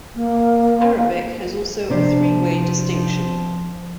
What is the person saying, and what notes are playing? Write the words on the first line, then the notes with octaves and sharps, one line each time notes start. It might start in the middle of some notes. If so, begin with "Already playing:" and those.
Arabic has also a three-way distinction.
A#3
C3 F3 D4 C5